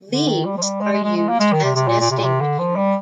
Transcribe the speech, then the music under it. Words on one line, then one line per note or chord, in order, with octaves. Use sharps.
Leaves are used as nesting material.
D3
D#3
G3
F3
G3
G#3
G#3
G#3
G#3
A#3
G#3
D#3
C3
C3
A#2
A#2
C3
A#2
C3
D3
F3
G3